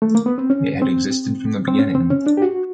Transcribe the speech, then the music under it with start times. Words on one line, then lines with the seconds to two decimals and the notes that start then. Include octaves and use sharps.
It had existed from the beginning.
0.02 A3
0.15 A#3
0.26 B3
0.38 C4
0.50 C#4
0.82 C4
1.68 C4
1.79 C#4
1.95 C4
2.10 C#4
2.27 D4
2.37 G4
2.42 F#4